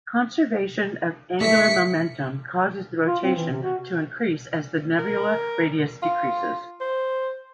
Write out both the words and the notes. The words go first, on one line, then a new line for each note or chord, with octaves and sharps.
Conservation of angular momentum causes the rotation to increase as the nebula radius decreases.
A3 B6 C#7
F4
C4
E3
C3
F#4
A#4
F4
C5